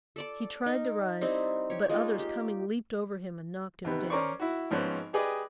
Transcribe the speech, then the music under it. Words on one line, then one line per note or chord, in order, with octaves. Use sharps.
He tried to rise, but others coming leaped over him and knocked him down.
A4 D5 D6
D#4 A#4
G3 C4 D#4 E4
G4 C#5
G#3 A#3 D#4 F4
G4
D#2 C3 B3
C#4 A#4 C5 D5 C#6
E4 F#4
G#1 F3 B3 C#4 B5 F#6
G4 G#4 B4 D5 D#5